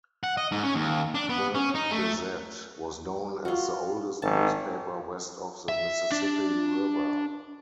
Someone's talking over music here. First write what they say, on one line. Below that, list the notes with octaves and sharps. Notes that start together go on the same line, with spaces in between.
The "Gazette" was known as the oldest newspaper west of the Mississippi River.
F#5
D#5
G#2
C#4
D#2
D4
B3
C#4
D#4
A3
F4 F#4
G#1 A5
E5
D4